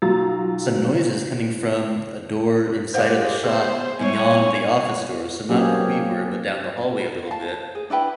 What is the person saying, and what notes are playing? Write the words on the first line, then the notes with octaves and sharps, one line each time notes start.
some noises coming from a door inside of the shop beyond the office doors, so not where we were, but down the hallway a little bit,
B1 F4 F#4 A#5 E6 A6
G#3 G4 C5 F5 F#5
B3 G#4 C5
G3 B3 C#5 G#5
F#3 A#3 C4 C#4 G4 G#4
F5 A5
G#4
D4 E4 B4 G5